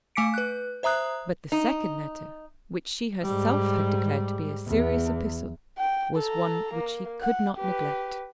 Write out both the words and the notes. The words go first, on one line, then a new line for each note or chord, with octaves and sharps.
But the second letter, which she herself had declared to be a serious epistle, was one which he could not neglect.
A3 G#5 D6 B6 C#7 D7
B4 F#6
C5 E5 A#5 D#6 F#6
D#4
G#2 G3
E2
G5
A4 A#5
A#3
F#5
G4 B4